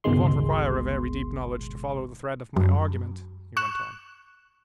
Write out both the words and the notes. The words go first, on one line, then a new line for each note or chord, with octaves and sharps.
"It won't require a very deep knowledge to follow the thread of my argument," he went on.
G1 C#2 B2 D#3 G#3 C6
F#2
C#6 F#6 E7